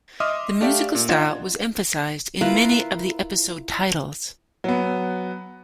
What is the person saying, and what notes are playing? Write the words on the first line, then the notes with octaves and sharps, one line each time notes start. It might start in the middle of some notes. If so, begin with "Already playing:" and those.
The musical style was emphasized in many of the episode titles.
D#5 E5 C6 D6 D#6 F6
A3 D4 G4 D5 E5 F5
A#2
D4 F4 D#5 F#5 G#6 E7
E4 F4 A#4 B4
F#3 B3